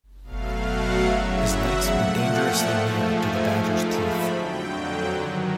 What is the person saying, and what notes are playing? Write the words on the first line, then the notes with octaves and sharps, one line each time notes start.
His legs were dangerously near to the badger's teeth.
B2 F#3 A3 F5
F#5
E2 C#3 F#3 E5
F#5
A#2 F3 A3 F#5
G5
G#2 F3 A3
G#5
G#2 F3 A3
B5
F2 D3 F#3 G5
G5
G2 D#3 F#3